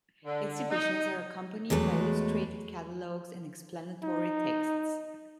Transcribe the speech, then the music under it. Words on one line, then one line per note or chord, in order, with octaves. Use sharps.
Exhibitions are accompanied by illustrated catalogues and explanatory texts.
D3
D#4
E2 F#3 G#3 A3 B4
D#4